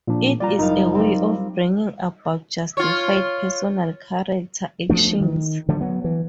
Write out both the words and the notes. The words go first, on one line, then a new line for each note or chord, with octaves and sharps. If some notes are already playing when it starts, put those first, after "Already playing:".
It is a way of bringing about justified, personal character actions.
A#2 F3 D4
G3 F4 D5 A#5
F#1 D#4 F5
G3 C4
F4 C#5
F3 A3 D4
D#3
D3 F3 F#3 A3
F#3 B3
E3